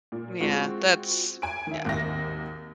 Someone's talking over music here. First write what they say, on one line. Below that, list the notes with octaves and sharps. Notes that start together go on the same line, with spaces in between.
Yeah. That's yeah.
A#2
G#3 C4 F4 F#4
G#5 D7
D#3 E5
G#1 D#2 A#3 A#6